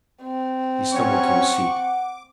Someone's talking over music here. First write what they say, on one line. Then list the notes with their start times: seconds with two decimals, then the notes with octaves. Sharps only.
He stumbled to his feet.
0.22 C4
0.94 F#3 C#4 C#5 F#5 C#6
1.57 D6